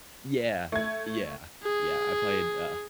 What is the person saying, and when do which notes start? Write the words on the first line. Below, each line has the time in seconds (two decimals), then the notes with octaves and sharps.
Yeah, y yeah, yeah, I played uh
0.72 A3 G#6
1.63 G#4